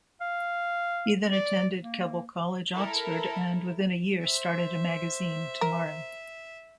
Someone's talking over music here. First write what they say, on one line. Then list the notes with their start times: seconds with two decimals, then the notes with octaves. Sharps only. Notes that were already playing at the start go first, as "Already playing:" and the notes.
He then attended Keble College, Oxford, and within a year started a magazine "Tomorrow".
0.21 F5
1.32 D5
1.83 A#3
2.74 E4 A4 A#4
4.22 C5 E5
5.61 A#4